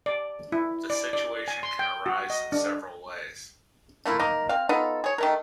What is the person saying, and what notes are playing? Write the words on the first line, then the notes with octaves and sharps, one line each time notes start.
The situation can arise in several ways.
D5
E4
D5
D5
G#5
C6
G5
F#4
D#5
D4
A3 A#3 E4 F4
A#3 D#4 A#4
C4 F5
B3 D#4 F4 A4
G#4 C#5
D#3 A3 A#4